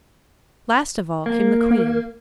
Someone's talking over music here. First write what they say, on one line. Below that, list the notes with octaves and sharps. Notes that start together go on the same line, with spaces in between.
Last of all came the Queen.
A#3